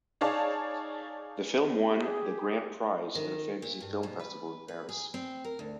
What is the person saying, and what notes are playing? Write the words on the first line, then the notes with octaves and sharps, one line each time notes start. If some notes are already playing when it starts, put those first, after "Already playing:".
The film won the grand prize at a fantasy film festival in Paris.
D#4 G#4 C#5 D5 F5 A5
G4 G#4
D#3
A#2
G2
B2
B4
B4
G#4
C4
A#4
D2